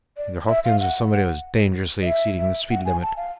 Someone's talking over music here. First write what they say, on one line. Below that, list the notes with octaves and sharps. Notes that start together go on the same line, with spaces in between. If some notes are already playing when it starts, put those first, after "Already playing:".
Either Hopkins or somebody was dangerously exceeding the speed-limit.
D5
E5
F5
F#5
F#5
D#5
E5
E5
F#5
G#5
A5
F5